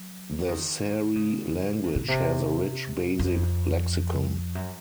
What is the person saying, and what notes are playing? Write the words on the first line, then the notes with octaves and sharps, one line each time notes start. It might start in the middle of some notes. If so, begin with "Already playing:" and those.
The Seri language has a rich basic lexicon.
Already playing: F#3
D#3
C#3
C3
A#2
C3
F2
F#2